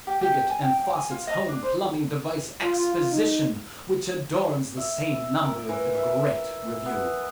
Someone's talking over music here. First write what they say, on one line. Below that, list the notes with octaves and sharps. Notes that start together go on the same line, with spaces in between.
Spiggott and Fawcett's Home Plumbing Device Exposition which adorns the same number of the great review.
G4
G4
G#5
G5
G5
G#5
F4
D#5
D4
C5
F4
F4
F4
D#4
E5
A#4
E3
E5
B3